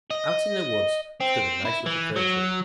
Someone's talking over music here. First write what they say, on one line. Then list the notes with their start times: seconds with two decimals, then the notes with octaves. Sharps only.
Out in the woods stood a nice little Fir Tree.
0.11 D#5
1.21 C4
1.65 E4
1.86 E3
2.16 F#3